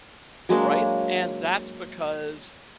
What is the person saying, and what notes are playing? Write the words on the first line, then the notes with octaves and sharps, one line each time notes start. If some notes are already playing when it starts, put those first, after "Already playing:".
right? And that's because
F#3 G#3 A#3 D4